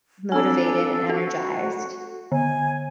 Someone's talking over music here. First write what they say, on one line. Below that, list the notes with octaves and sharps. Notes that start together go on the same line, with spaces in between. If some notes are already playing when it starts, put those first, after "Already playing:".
motivated and energized.
C4 D4 A4 G#5 E6
F#4 A4
D3 G#5